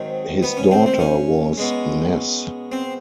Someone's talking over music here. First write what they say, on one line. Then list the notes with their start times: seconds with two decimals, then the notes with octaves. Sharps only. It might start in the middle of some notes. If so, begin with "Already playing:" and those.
His daughter was Ness.
Already playing: G#2 D#3 F#3 C4
0.43 B3
0.57 C#4
0.71 C4
0.86 C4
1.00 C#4
1.58 B2 G#3
2.72 C4